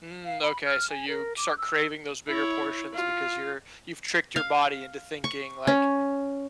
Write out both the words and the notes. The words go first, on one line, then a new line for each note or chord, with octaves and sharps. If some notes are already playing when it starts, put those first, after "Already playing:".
Mm, okay, so you start craving those bigger portions because you're you've tricked your body into thinking, like,
F5
B5
F6
G#5
A#4
D6
E6
E4 C#5
F4
F5
C#6
C#4